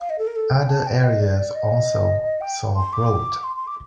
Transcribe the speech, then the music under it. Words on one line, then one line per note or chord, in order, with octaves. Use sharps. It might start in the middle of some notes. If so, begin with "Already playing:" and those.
Other areas also saw growth.
F5
D#5
A4
A#4
A4
G5
A5
G5
D#5
D5
D5
D#5
G5
C6
D6
C6
C6
D6